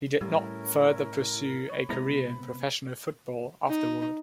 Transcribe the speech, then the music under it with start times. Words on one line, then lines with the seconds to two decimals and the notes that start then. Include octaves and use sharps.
He did not further pursue a career in professional football afterward.
0.21 A2 G3 C#4 E4 A#4
1.69 C#5 B5
1.89 C3 G#3 B3 E4 A#5
3.68 D#4